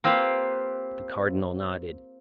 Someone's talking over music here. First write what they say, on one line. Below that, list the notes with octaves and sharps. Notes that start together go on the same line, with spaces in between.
The Cardinal nodded.
A#3 C4 F4 G4 B4